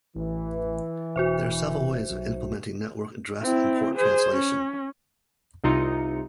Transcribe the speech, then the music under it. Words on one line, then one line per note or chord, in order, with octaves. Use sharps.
There are several ways of implementing network address and port translation.
A1 E3
E1 F#4 C5 E5
B1
C4 E4
G#4 C5
C#4
C2 C3 D#4 F4 C#7